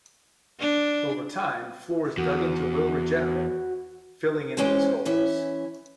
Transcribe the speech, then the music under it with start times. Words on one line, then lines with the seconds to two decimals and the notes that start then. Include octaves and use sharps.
Over time, floors dug into will regenerate, filling in these holes.
0.60 D4
2.17 E2 F#4
4.57 E3 G#3 C#4 G4 C5 G5
5.05 E3 C#4 E5